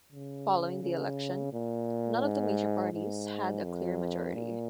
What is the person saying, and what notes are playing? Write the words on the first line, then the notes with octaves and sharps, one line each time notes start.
Following the election none of the major parties had a clear majority.
C#3
C#3
A#2
G#2
G#2
F2
A#2